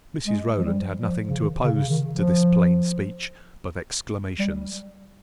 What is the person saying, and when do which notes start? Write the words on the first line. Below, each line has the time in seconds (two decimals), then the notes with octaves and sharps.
Mrs Rowland had nothing to oppose to this plain speech but exclamations.
0.27 G#3
0.58 F3
0.65 G3
1.02 F3
1.29 C#3
1.40 D#3
1.64 C#3
1.78 C#3
1.89 D#3
2.15 F3
4.39 G3